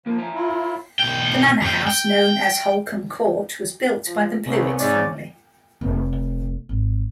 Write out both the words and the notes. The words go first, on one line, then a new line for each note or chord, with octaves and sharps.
The manor house known as Holcombe Court was built by the Bluett family.
F3 A#3 D#4 A#4
C#5 E5 A#5
E4 F4
B1 G5
F#2 G5
G5
F3
C2 C3 B3 C#4
G#2 D5
F1
G#1